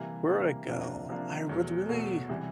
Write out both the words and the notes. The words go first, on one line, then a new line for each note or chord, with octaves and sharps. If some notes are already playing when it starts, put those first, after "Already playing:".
where would I go? I would really
Already playing: C3 E3 G3 A#3
C3 E3 G3 A#3
C3 F3 A#3 D4
C3 F3 A#3 D4
E2 B2 F#3 A3
E2 B2 F#3 A3
C3 E3 G3